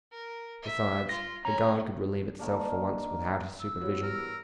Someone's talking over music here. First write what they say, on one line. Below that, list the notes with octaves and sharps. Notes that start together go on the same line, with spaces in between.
Besides, the guard could relieve itself for once without his supervision.
A#4
E5
F4 A#6
C#4 A#5
D#3 A#3 D4
E6
E2 G3 F#4 C#5
A#4